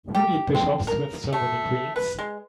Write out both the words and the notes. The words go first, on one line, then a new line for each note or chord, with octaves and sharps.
Who need bishops with so many queens?
G4
C4
A#4
A3
B4
G#3